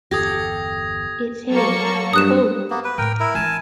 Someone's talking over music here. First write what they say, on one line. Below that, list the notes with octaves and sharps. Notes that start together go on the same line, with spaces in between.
It’s here. Cool.
G1 E2 G4 A4 D#6 G#6 A#6
F#3 A#3 A4 C#6
G2 D#6 F#6 E7
A#3 B3
B4
A2 A#4 G5
E4 A#4
E3 C4 G#5 A5